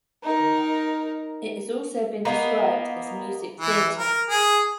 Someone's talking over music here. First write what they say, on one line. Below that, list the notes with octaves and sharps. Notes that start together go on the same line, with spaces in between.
It has also been described as music theater.
D#4 A#4
A#3 B3 D#4
E3
A#4
G#4